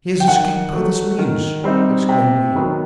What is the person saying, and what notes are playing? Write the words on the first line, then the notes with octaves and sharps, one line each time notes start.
"He has escaped by this means," exclaimed he.
G5
D#3 F#5
F#3 A3
D#3
G3 C4 D#4
C3
D#3 F#3 B3